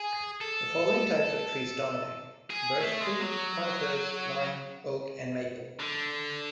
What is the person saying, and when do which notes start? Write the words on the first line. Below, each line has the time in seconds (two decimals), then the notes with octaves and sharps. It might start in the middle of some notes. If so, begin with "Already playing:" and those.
The following types of trees dominate: birch tree, conifers, lime, oak, and maple.
Already playing: G#4
0.41 A4
2.50 G#4
2.80 A3
3.01 G#3
3.21 F#3
5.80 D3